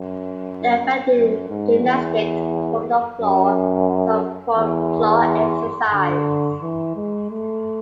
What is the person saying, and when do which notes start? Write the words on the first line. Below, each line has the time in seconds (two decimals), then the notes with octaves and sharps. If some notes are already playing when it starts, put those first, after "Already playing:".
The event in gymnastics performed on floor is called floor exercise.
Already playing: F#2
1.15 F#2
1.49 G#2
1.83 E2
3.20 F#2
4.56 E2
5.93 D3
6.62 E3
6.96 G#3
7.31 A3